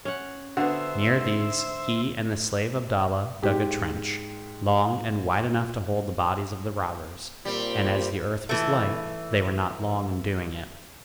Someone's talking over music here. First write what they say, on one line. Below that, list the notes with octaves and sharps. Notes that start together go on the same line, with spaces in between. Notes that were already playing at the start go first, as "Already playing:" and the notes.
Near these he and the slave Abdalla dug a trench, long and wide enough to hold the bodies of the robbers; and as the earth was light, they were not long in doing it.
C#4 F#5
D3 B3 F#4 C5 E5
G#2 G4
A#2 G3 C4
E3 A3